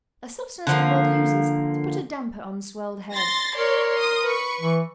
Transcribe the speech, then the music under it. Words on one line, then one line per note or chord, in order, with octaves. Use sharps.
A substance the world uses to put a damper on swelled heads.
D3 F3 A#3
C6 A6 A#6
A#4 C#5 D5 C6
C6 D#6
B4 C#6
E3